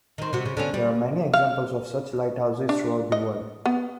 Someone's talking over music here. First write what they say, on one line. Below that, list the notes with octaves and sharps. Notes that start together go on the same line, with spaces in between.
There are many examples of such lighthouses throughout the world.
D#3 C4
C3 F#4
C#3
D3 B3 C#4
G3
F5
D4
D#5
B3